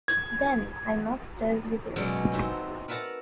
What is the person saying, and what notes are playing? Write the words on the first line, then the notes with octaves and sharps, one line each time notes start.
Then I must tell you this.
G#6
B2 F#3 G#3 C#4 D5 E5
C4 D#4 F#4 E5
A#4 B4 E5 F#5 A5 A#5